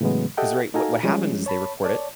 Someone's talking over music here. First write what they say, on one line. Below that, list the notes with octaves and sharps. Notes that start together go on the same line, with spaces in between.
'cause, right, what what happens is they record it,
A2 C#3 E3 F#3 G#3 B3
G4 A4 D#5 E5 F#5 G5
D#4 F#4 A4 F5 G#5 A#5
F3 G3 G#3 C#4
C#5 A5 B5
C#5 D5 A5